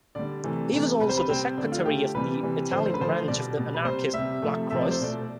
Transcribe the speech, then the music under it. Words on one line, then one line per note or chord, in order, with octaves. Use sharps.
He was also the secretary of the Italian branch of the Anarchist Black Cross.
D3 G3 D5
C3 E3 A3
C3 E3 A3
C3 G3 B4
C5
B4
C3 G3 C4
C4
D3 A3 D4
F4
D3 A3 G4
C3 E3 G3 B4
C3 E3 G3
D3 F3 A3 C5
C5
B4
D3 F3 A3 C5
B2 G3 D5
B2 G3
B4
C3 G3 C5
C3 G3 E5
C3 F3 A3
C3 F3 A3 E5
D5
C5
B2 A3 D5